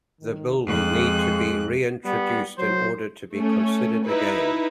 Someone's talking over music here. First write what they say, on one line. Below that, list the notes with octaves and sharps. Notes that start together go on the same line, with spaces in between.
The bill will need to be re-introduced in order to be considered again.
D#3
F2 G#3 F#6
G3 B3
F#3 C5
A3 C#4
D#4 E4 B4